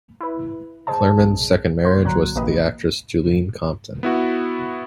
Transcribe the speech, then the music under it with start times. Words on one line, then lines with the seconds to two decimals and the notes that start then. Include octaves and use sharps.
Clurman's second marriage was to the actress Juleen Compton.
0.21 E4 B4
0.87 G#4 C5 D#5 A5
1.18 B1 F2 G#4
1.84 A#2 A#3 C6 G#6
2.04 C2 A#2 D3 F#3 A#5 F#6
2.35 A#1 E3 A#3 G4 B4 D#5
4.03 B3 E4 F#4